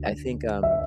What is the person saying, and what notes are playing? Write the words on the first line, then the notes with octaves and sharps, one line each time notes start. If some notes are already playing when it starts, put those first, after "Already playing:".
I think, um,
Already playing: D2
E5